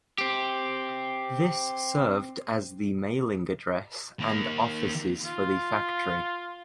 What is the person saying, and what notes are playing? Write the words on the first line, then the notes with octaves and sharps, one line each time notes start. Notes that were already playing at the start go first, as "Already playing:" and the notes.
This served as the mailing address and offices for the factory.
C4 G4
D#3 A#3
F4